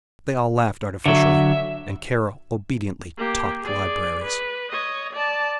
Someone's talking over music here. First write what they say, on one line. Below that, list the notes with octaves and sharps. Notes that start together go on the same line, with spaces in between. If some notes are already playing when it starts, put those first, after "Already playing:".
They all laughed artificially, and Carol obediently "talked libraries."
D3 F#3 E5
A#3 G4
G#4 D5
B4
C#5 D#5
D5 A5